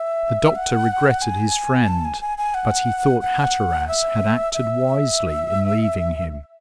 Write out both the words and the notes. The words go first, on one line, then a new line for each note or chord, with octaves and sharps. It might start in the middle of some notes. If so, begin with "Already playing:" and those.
The doctor regretted his friend, but he thought Hatteras had acted wisely in leaving him.
Already playing: E5
F#5
G#5
A5
G#5
G#5
G#5
F#5
F#5
E5
E5